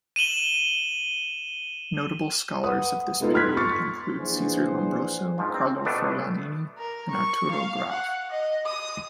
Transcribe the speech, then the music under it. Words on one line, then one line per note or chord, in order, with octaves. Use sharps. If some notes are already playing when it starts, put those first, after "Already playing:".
Notable scholars of this period include Cesare Lombroso, Carlo Forlanini and Arturo Graf.
D#7 E7 F#7 G7
B4 F#5 D#6
G#3 A3 B3 D#4 F4 A4
B5 C6 F6 F#6 G#6 B6
C6 C#6 F6 A6 C#7
A#1 E3 D4 G#4 C5 F#5
G#2 F3
C4
B2 A3 B3 D4
A#4
C#6
F5
F#5
D#5
D#6